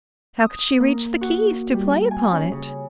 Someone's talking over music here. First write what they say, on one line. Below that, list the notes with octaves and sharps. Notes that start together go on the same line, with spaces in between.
How could she reach the keys to play upon it?
D#6
A#3
F#4
G3
G#5
C#4
C#3